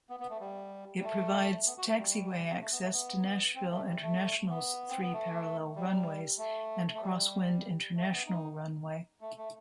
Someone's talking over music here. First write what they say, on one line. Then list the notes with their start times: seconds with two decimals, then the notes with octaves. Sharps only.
It provides taxiway access to Nashville International's three parallel runways and crosswind international runway.
0.10 B3
0.20 B3
0.30 A3
0.40 G3
1.00 G3
1.04 A3
1.67 B3
1.78 F#4
1.87 A3
1.98 G3
2.61 A3
2.72 B3
2.82 A3
2.93 B3
3.55 C4
3.71 A3
3.87 G3
4.02 A3
4.50 B3
4.89 C4
5.01 B3
5.13 A3
5.76 G3
6.38 A3
6.94 A3
7.02 G3
7.96 A3
8.08 C4
8.12 B3
8.27 D#4
9.21 A3
9.38 A3